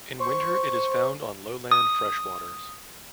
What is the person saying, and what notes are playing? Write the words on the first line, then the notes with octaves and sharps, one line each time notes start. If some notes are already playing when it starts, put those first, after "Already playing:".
In winter it is found on lowland fresh waters.
C5 C#6
D#6